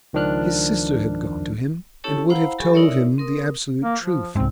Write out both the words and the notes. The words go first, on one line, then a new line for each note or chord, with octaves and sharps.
His sister had gone to him, and would have told him the absolute truth.
C#2 D#3 F3 D4 F6 F#6
C#4 E4 G4 A4 C#5 A5
E4 C5 F5 F#5 A#5 B5
F#3 G4 A4 G#5 B5 C#6
D#4 E4 A#4 C#5 D5 E5
C4 A#4 D#6
A#3
F3
C2 G#2 C4